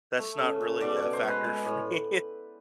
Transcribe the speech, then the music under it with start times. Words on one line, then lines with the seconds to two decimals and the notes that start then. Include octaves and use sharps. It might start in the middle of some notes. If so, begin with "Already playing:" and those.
that's not really a factor for me.
0.18 A3 E5
0.39 C#3
0.61 C#3
0.81 B2 D5
0.97 C#5
1.02 B2
1.13 C5
1.23 G#3 B4
1.44 G#3
1.65 A2